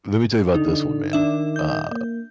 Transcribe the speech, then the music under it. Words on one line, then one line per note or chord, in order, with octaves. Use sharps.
Let me tell you about this one, man, uh,
D3 D#4
D#3 D4 E5
G6
A#3